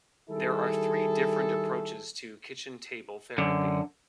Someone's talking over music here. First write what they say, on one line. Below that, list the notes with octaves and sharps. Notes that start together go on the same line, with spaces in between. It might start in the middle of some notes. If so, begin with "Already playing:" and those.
There are three different approaches to kitchen table therapy.
D#3 G3 E4 G#4 A4
F#2 D3